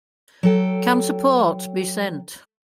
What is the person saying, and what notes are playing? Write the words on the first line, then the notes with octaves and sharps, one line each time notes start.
Can support be sent?
F#3 A4 G5